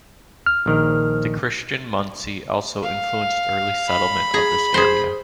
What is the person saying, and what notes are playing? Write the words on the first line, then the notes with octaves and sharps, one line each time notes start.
The Christian Munsee also influenced early settlement of this area.
F6
A#1 D#3 A#4
F5
B5
G#4 A#5
G#4 C5